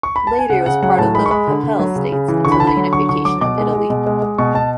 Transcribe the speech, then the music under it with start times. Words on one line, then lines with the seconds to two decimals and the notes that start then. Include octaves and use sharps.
Later it was part of the Papal States until the unification of Italy.
0.03 C#6
0.16 B5
0.27 A5
0.39 G#5
0.49 C#3 F#5
0.66 C#3 F#5
0.82 F#3 F#5
0.98 A2 A5
1.15 G#3 B5
1.26 C#6
1.31 G#3 B5
1.47 D3
1.63 D3
1.79 F#3
1.96 C#3
2.12 C#3
2.28 E3
2.45 D3 C#6
2.52 B5
2.60 D3 A5
2.67 B5
2.77 F#3
2.93 D3 C#6
3.09 D3 C#6
3.25 F#3 D6
3.41 B2 D6
3.58 G#3
3.74 G#3
3.90 B2
4.07 G#3
4.22 G#3
4.38 B2 C#6
4.55 B2 A5